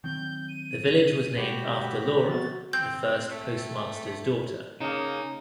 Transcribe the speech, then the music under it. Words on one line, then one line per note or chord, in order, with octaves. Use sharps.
The village was named after Laura, the first postmaster's daughter.
D#3 F#3 C4 G6
D#7
B2 G#3 F#4 G4 B5
F3 B3 C4 F#4 A6
C4 G6
A3
C#3 A#3 D#4